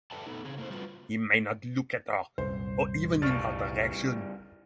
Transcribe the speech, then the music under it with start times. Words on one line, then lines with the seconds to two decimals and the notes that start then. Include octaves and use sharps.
He may not look at her or even in her direction.
0.11 A4 B4 D5 E5 G5 A5
0.26 A3 B3 C4 D#4 A4
0.45 C#3 C4 G#4
0.58 A3 A#3 E4 C5
0.70 G3 C4 F4 F#4 B4
2.38 C2 F#2 A#2 C5
3.22 C#3 G3 C#6 F6 A6